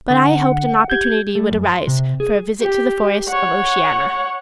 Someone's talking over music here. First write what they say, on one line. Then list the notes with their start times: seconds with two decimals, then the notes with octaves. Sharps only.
But I hoped an opportunity would arise for a visit to the forests of Oceania.
0.10 D3 F#5
0.90 G4 G6 G#6
1.35 A3
1.51 F#2
1.66 C6
1.87 C3
2.20 G#4
2.61 G4
3.29 C#5 F#5